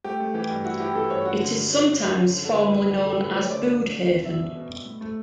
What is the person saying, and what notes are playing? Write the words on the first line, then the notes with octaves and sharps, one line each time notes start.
It is sometimes formerly known as Bude Haven.
A3 G4
A3
E3 G4
G2
E4 F#4
E4 G4
E3 A4
G2 C#5
C#4 F#4
D3
G3
C#4
C#4
G3
C#4
D3
D3 A4
A3 B4
D2
D2 G4
A3 A4
D2 B4
D2 C#5
D3 D5
D4
B2
B2
B2
B2 E5
B2
B2
B2
A2
A3